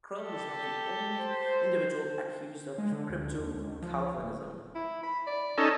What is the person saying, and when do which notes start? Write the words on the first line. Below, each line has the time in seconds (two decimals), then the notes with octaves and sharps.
Krell was not the only individual accused of Crypto-Calvinism.
0.20 G4 A4
1.21 C5
2.78 G#3
2.92 D3
3.09 D2
3.39 D#2
3.54 C#2
3.82 F3
4.16 D1
4.75 E4
5.03 B5
5.27 D5
5.58 C#4 D#4 A4